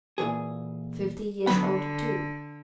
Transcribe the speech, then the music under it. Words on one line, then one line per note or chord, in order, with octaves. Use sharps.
Fifty years old, too!
A#2 E3 G#4
D3 F#3 B3 B5